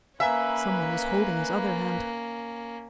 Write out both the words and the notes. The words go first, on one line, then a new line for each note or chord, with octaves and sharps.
Someone was holding his other hand.
A#3 C#4 B4 E5 F5 G#5 A#5